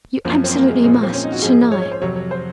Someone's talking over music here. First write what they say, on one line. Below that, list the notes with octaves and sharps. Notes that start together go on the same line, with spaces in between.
You absolutely must, tonight!
F#2 F3 A#3
C4
A#3
G#3
A#2 F3 G#3
A#3
C4
C#4
D#4
F#4
G#2 F3 G#4
G#4
C#5
C#5
C5
F2 C3 F#3 C#5
C#5
C5